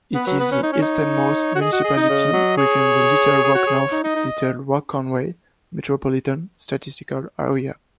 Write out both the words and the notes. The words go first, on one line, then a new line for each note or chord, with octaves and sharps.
It is the easternmost municipality within the Little Rock-North Little Rock-Conway Metropolitan Statistical Area.
B3 B4
F#3
B3
C#4
D#4 C#5
C#4
D#4
F#4
G#4 D#5
F#4
G#4
D#4
C#3
F#3
G#4 C#5
G#4
F#4
G#4
D#4
D#4 D#5
D#4